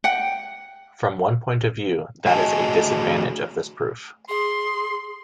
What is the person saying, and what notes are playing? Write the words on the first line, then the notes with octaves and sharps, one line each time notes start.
From one point of view, that is a disadvantage of this proof.
F#5 G5
A3 F#4 G#4 D#5 G#5 A5
G#4 C6